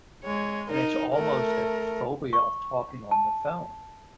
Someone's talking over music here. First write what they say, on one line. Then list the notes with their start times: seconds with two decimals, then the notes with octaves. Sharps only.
and it's almost a phobia of talking on the phone.
0.24 G#3 C#5
0.69 D#4 A#4
1.12 A3 A#4
2.33 C#6
3.11 A5